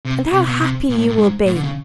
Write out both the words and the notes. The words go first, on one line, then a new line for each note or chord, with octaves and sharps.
And how happy you will be!
C3
C3
B2
C3
A#2
A2
A2
G#2
A2
D3
C#3